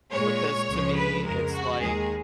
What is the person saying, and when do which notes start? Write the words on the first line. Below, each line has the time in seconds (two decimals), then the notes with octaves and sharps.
because to me it's like
0.12 A#2 G#3 C#5
0.68 C#2 C#3 F3 G#3
0.96 B4
1.24 F2 C#3 G#3 A#4
1.53 F#4
1.81 D#2 D#3 G#3 G#4